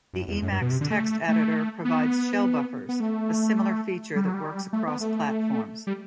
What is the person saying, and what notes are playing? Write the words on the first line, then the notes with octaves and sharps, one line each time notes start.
The Emacs text editor provides shell buffers, a similar feature that works across platforms.
F#2
E2
F#2
G2
B2
C3
D3
A3
A3
B3
B3
A3
G3
F#3
G3
A3
B3
A3
G3